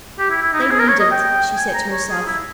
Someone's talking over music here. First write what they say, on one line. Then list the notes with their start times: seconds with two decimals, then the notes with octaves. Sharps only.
"They needn't," she said to herself.
0.19 G4
0.30 E4
0.42 E4
0.53 D#4
0.62 E4
0.71 G#4
0.79 A#4
0.88 C#5
1.00 D#5
1.11 G5
1.57 G#5
1.74 A#5
1.92 C#5
2.09 G#4
2.26 E4